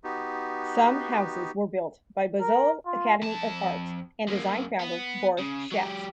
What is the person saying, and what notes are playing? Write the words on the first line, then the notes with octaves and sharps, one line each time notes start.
Some houses were built by Bezalel Academy of Art and Design founder Boris Schatz.
B3 D#4 F#4 G4
A#4
F4
F2 A5
F#2 A#3
B3
C#3
F#3 G4